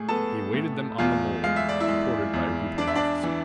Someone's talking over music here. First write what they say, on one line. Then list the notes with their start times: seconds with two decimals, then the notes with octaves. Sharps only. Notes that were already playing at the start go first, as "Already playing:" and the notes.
He awaited them on the mole, supported by a group of officers.
Already playing: A2 G#3 G#4
0.09 B3 A4 A5
0.54 A2
0.98 E2 F4 F5
1.44 G#3 F5
1.56 E5
1.69 D5
1.80 E4 E5
1.88 G#3
2.33 E2
2.78 D4 D5
2.87 E5
2.95 D4 D5
3.23 E3